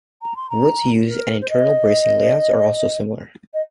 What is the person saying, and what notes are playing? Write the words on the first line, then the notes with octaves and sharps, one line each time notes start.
Woods used and internal bracing layouts are also similar.
A#5
C6
A#5
A#4
C5
D#5
D#5